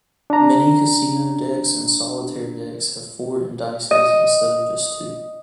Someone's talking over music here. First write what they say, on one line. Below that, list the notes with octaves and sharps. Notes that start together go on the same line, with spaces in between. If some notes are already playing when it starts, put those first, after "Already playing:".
Many casino decks and solitaire decks have four indices instead of just two.
D4 A#5
D#5